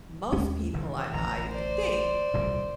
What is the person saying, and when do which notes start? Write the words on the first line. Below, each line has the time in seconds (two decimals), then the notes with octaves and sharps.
most people I I think
0.32 D#2 G#3 C#4
0.73 F1 D#3 E3
1.13 A1 D3 A#5
1.48 C5 D5
2.34 D#1 C2 A2